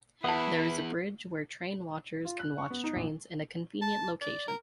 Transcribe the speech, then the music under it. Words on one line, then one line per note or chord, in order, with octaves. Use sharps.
There is a bridge where train watchers can watch trains in a convenient location.
E2 E4 B4 F#5 A5 D#6
F4
F#6
C#6
B3
D#4
A#1
A5
D5
A#4